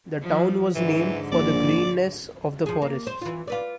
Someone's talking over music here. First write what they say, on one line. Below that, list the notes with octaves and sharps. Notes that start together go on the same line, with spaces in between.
The town was named for the greenness of the forests.
F3
G#2 D3 E3
A#1 D5
F3 G#4
A#3
C5
E3 F4
F4 B4 D5